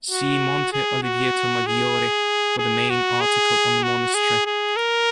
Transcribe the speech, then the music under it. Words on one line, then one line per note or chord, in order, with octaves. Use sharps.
See Monte Oliveto Maggiore for the main article on the monastery.
F#4
G#4
F#4
G#4
G#4
F#4
G#4
F#4
G#4
G#4
A#4